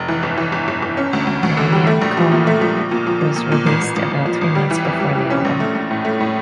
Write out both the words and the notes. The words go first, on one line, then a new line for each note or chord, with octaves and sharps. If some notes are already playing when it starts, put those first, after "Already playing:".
"Maniacal" was released about three months before the album.
Already playing: F1
E3
G1
E3
G1
G1
G1
C#4
D2
D2
D2
D3
G3
A3
A#1
F3
A#2
A3
F3
A#1
A#2
F3
F3
A#2
A#2
A1
A1
A1
A1
F3
A1
G3
E3
F2
G3
G3
C#4
A#1
A3
A#1
A2
A3
A2